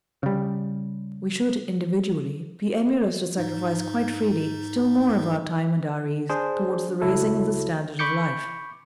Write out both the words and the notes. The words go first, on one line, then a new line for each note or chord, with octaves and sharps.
We should, individually, be emulous to sacrifice quite freely still more of our time and our ease towards the raising of the standard of life.
C#3 G3
G#2 D#4
D4 G#4 C5
C#2 F#3 E4 A4
B5 C#6 D6 G6 C#7